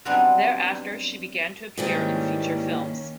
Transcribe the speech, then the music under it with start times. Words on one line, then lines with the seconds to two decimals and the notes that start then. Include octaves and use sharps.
Thereafter, she began to appear in feature films.
0.05 F#3 G3 B3 C4 D4 D#4
1.78 G#2 D#3 E3 G3 A#3 C#4